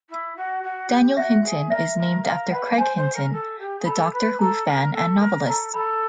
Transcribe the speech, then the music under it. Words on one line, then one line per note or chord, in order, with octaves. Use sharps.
Daniel Hinton is named after Craig Hinton, the Doctor Who fan and novelist.
E4
F#4
F#4
G4
F#4 E5
G#4
A#4 E5
A#4
A#4 F5
B4 F#5
C5 G#5
C5
A#4
A4
G4
G#4
A4 B5
B4
A4 A#5
A#4
A4
A#4
A4 A#5
A4 B5